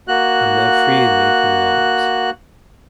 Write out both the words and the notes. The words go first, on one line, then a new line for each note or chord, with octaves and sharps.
I'm not free in making loans.
A#3 F#4 F#6